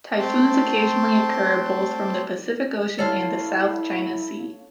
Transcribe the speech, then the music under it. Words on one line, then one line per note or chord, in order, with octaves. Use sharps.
Typhoons occasionally occur, both from the Pacific Ocean and the South China Sea.
A3 C4 A5 C6 D6
E4 F4 A4 C#5